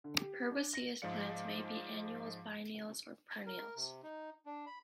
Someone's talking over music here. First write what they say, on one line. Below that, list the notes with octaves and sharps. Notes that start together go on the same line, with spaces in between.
Herbaceous plants may be annuals, biennials or perennials.
D3
G4
D4
A#6
G#2 F3 G#3 D5 F5 C#7
A#4
C3
D#4
D4
B5